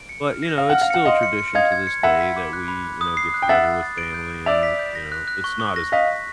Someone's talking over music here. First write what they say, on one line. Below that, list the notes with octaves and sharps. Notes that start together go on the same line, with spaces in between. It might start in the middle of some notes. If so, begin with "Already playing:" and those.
But, you know, it's still a tradition to this day that we, you know, get together with family and, you know, it's not as
Already playing: D7
C#7
F6
A#6
F5 F6
F#5
F6
F5
F#5 C#7
D#5 F5 C6
C#7
C#7
D#5 F5 G#6
G#6
C#7
E5 F#5 B5
B6
D6
F#6
B5
F#6
D#6
C7
F#6
G5
E5 F#5 A6
A6
A6
D7
G6
D7
D5 E5 F7
B6
G6
A#6
F#6
F#6
C#6
C#6
A#6
D#5 F5 B6
B6